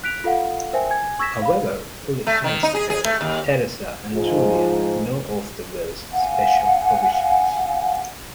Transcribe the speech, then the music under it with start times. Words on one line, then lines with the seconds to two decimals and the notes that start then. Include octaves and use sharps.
However, only Alistair, Theresa, and Julian know of the will's special provisions.
0.04 F#6 B6 D7 F7
0.24 F4 A4 F5 F#5
0.73 A#4 C5 E5 G5 G#5
0.90 G#5 G#6
1.19 C#6 E6 G#6 A#6 B6 E7
1.42 F5 B5
2.27 A3
2.44 D#3
2.63 D#4
2.74 G#4
2.90 G#4
3.04 A3
3.21 D#2
4.13 G#2 F3
6.13 F5 F#5 G#5